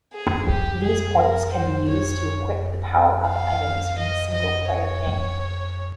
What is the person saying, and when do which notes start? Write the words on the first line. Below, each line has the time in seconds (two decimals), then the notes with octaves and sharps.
These points can be used to equip the power-up items from the single-player game.
0.14 G#4
0.49 G4
0.84 G#4
1.18 A#4
1.54 C5
1.89 C#5
3.29 F5
3.99 D#5
4.35 D#5
4.70 C#5